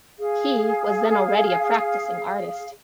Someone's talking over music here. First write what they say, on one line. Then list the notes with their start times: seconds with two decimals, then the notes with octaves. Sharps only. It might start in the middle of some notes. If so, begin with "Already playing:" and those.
He was then already a practising artist.
0.19 G#4 F5